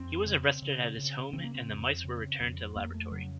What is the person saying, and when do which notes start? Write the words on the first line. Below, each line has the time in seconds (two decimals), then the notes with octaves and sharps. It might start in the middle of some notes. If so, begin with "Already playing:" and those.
He was arrested at his home and the mice were returned to the laboratory.
Already playing: F2 C4
0.26 C#3
0.62 C#3
0.98 C#3
1.33 C#3 C4
1.44 A#3
1.55 C4
1.69 F2
2.04 C#3
2.40 F2
2.76 F2 A#3
2.94 A3
3.11 C#3 F#3